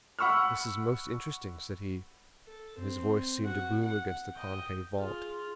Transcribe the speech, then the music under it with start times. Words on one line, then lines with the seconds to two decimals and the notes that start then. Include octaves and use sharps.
"This is most interesting," said he, and his voice seemed to boom against the concave vault.
0.19 F#5 B5 C#6 E6 F6
2.46 A4
2.78 C4
3.45 F#4 F#5
3.82 F#5
4.34 D#5 G5
4.96 F4 G#4